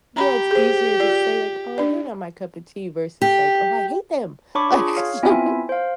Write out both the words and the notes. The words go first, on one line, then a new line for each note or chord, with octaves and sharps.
yeah, it's easier to say, like, "Oh, they're not my cup of tea." versus, like, "Oh, I hate them!" Like, so
G4 A#5 B5
G#4 C5
F4 D5
D4 D5
G4
D4 C#5 A5 B5 C#6 D6
F4 G#4
C#5 F5
B3 C4 E4 F4 E5 G#5
C5 F5